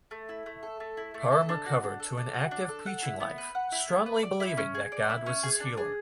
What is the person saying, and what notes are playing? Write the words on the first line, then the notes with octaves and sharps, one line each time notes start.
Parham recovered to an active preaching life, strongly believing that God was his healer.
A3
E4
A3
A4
A3
E4
A3
A4
D4
F#4
D4
A4
D4
F#4
D4
A4
F#5
E4
B3
B4
F#5
E4
B3
B4
D5
E4
C#4
G#4
D5
E4
C#4
G#4
D4
G#4